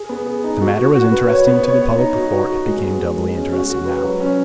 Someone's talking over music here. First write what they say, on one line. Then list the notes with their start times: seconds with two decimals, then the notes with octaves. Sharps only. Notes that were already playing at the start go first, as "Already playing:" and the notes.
If the matter was interesting to the public before, it became doubly interesting now.
Already playing: G#4
0.09 B3
0.27 G#4
0.44 D#4
0.61 F#4
0.79 F#4
0.95 F#4
1.12 B4
1.29 C#5
1.47 B3
1.63 C#5
1.81 C#5
1.98 D#4
2.15 F#4
2.32 F#4
2.49 F#4
2.66 G#3
2.84 B3
3.00 B3
3.17 G#3
3.35 C#4
3.52 F#4
3.69 F#4
3.85 B4
4.03 F#3
4.20 C#4